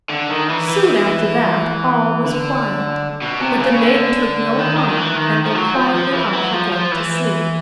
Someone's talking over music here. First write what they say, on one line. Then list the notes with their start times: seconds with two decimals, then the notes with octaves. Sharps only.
Soon after that all was quiet, but the Maiden took no harm, and went quietly off again to sleep.
0.09 D3
0.29 D#3
0.49 E3
0.69 E3
2.25 D3
3.22 B2
3.41 C3
3.60 C#3
3.79 D3
4.58 D#3
4.77 D#3
4.90 D#3
4.97 E3
5.16 D#3
5.45 F3
5.56 F#3
5.74 F3
5.95 F3
6.14 E3
6.33 F#3
6.53 F3
6.72 F3
6.92 E3